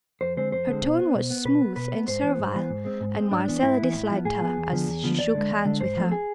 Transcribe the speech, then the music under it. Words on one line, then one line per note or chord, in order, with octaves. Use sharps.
Her tone was smooth and servile, and Marcella disliked her as she shook hands with her.
F2 C5
D3 G#3 C4 C5
F2 C5
D3 G#3 C4
B2
B3
B2
B3
B2 B4
B3
B2 B4
B3
G#2 C5
E3 B3
G#2
E3 B3
G#2
G#3 C4
G#2
G#3 C4
G#2 D4
E3 B3
G#2 E4
E3 B3
A2
F3 B3
A2 G#4
F3 B3
E2
D3 F3 B3
E2
D3 F3 B3
E2 D5
D3 G#3
E2
D3 G#3
G#2 C5
F3 A3 C4
G#4